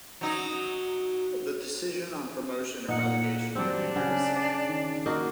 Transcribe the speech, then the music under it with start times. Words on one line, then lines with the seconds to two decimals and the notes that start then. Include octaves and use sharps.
The decision on promotion and relegation remained the same.
0.21 F#3 D#4
2.88 A#2 D#4 F#5
3.55 F#3 G3 C4 D4
3.96 C#3 F#5 F#6
4.68 D#3 C#4
5.06 A#3 D#4 F#4